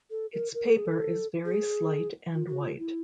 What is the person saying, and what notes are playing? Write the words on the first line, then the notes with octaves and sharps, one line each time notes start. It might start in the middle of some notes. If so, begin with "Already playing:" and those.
Its paper is very slight and white.
A4
A#4
A#4
A4
G#4
A4
G#4
F4
F#4
F4
E4